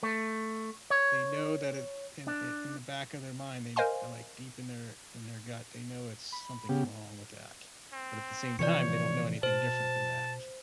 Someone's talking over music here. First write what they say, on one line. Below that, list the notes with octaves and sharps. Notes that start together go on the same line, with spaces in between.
they know that it in i in the back of their mind they are like deep in their in their gut, they know it's something's wrong with that, but at the same time, they don't know anything different than that.
A3
C#5
D4
A#4 C5 D#5 F5 G#5 C6
B5
C#3 B3 G4
C4
C3 E3 F3 C#5 D5 C#7
B2 C5 A5